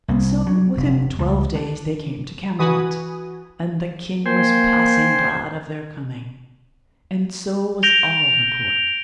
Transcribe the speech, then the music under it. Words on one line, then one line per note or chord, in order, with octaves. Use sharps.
And so within twelve days they came to Camelot, and the king was passing glad of their coming, and so was all the court.
C2
F#3
F1
C#2
D4
E3 F#4 B4 G#5 D#6
A#3 C5 G5 G#5
G6 A#6 D7 F7 G7